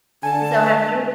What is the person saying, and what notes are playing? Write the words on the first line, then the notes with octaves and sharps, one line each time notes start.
So have you
D3 G#5 A5